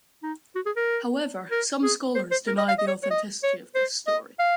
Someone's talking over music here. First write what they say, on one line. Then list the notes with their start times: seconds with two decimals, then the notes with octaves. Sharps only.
However, some scholars deny the authenticity of this story.
0.23 D#4
0.55 F#4
0.66 G#4
0.76 A#4
1.51 A#4
1.83 G#4
2.15 C5
2.31 C5
2.47 A#4
2.58 D#5
2.68 F5
2.79 D#5
2.87 C#5
3.03 C#5
3.11 D#5
3.43 C#5
3.75 C5
4.07 D#5
4.39 F5